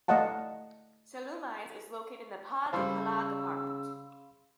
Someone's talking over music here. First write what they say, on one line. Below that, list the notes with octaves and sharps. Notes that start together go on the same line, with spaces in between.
Sallaumines is located in the Pas-de-Calais department.
A3 D5 D#5 F5 F#5 A5
C#3 G3 C5 F5 B5 C6 E6